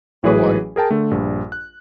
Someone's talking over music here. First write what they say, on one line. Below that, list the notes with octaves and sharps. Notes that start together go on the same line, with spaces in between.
but like
A1 E3 F#3 G#4 B4
G#4 A#4 G5 A5
D3 A3
A#1 G2
F#6